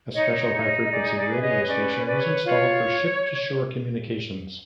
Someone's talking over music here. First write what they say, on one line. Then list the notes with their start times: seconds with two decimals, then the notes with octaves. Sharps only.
A special high frequency radio station was installed for ship-to-shore communications.
0.14 D#4 C#5 D#5
0.53 D#4
0.83 D#5
0.91 G#4 D5
1.16 D5
1.29 B4
1.36 E5
1.42 C#5 D#5
1.67 C#4 D5
2.06 B4 D5
2.19 C#5
2.44 F4 C#5